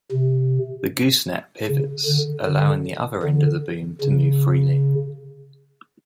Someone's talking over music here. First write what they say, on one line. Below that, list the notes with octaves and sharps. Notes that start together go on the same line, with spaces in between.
The gooseneck pivots allowing the other end of the boom to move freely.
C3
C#3
D3
D3
D3
C#3